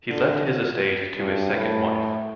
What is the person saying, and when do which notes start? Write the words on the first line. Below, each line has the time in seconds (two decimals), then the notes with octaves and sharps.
He left his estate to his second wife.
0.10 D3
1.18 G2
1.54 A2